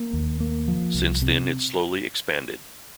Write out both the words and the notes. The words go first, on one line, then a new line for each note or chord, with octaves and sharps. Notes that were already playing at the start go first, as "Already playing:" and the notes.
Since then it slowly expanded.
Already playing: A#3
D#2
A#3
F3
C2
C3